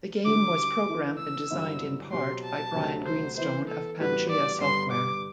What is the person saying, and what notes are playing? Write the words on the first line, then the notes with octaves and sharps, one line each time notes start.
The game was programmed, and designed in part, by Brian Greenstone of Pangea Software.
D2 D3 G3 C4 F#4 D6
E3 B3 E4 A4
E6
G2 D3 F#3 C4 E4
B2 F#3 C4 G4 C6
A5
D2 C3 F#3 A3 C4
C5
E3 B3 E4 C5
A4
A2 E3 G3 B3 F#4 B4
D5
G2 D3 G3 B3 C6
D6